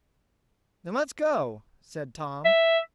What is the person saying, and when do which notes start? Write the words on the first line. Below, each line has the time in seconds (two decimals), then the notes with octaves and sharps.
"Then let's go," said Tom.
2.45 E5